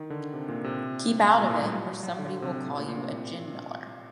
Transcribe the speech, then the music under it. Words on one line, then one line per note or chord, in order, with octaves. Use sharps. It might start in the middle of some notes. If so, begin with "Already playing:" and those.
Keep out of it, or somebody will call you a gin-miller.
Already playing: D#3
D3
C3
A#2
C3
A#2
A2
G3
F#3
F#3
F#3
D3
C3
A2
A#2
A#2
C3